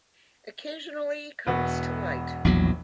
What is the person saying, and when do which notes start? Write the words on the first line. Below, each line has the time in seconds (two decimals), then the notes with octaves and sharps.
Occasionally comes to light.
1.47 E1 B3 F#4
2.45 A#1 E2 F#3